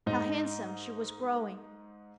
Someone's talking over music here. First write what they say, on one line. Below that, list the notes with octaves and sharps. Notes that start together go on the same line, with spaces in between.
How handsome she was growing!
G#2 D#4